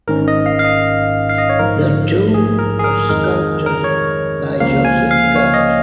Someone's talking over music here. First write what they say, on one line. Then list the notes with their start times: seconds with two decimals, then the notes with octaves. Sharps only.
The tomb was sculpted by Joseph Gott.
0.08 G#1 G#2 D#3 C#4 A#4
0.28 D#5
0.46 F5
0.59 F5
0.64 D#5
1.29 F5
1.38 D#5
1.49 C#5
1.59 A#1 G#2 F3 A#4
2.34 G#4
2.59 A#4
2.79 G#4
2.84 A#4
3.09 F2 D#3 G#3 A#4
3.28 G#4
3.66 A#4
3.84 C#5
4.60 C#2 C#3 F3 A#3 F5
4.85 G#5
5.11 F5
5.35 C#5
5.54 D#5